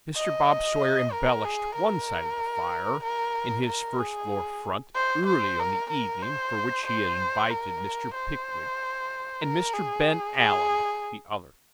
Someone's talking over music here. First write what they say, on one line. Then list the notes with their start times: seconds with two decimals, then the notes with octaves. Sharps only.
Mr. Bob Sawyer embellished one side of the fire, in his first-floor front, early on the evening for which he had invited Mr. Pickwick, and Mr. Ben Allen the other.
0.16 D#5
1.13 A#4
1.45 G#4
1.75 A#4
3.04 A#4
3.67 A#4
3.99 G#4
4.96 C5
5.27 C5
5.59 A#4
5.91 A#4
6.23 C5
6.87 C5
7.50 A#4
8.15 C5
9.41 A#4
9.73 G#4
10.38 G#4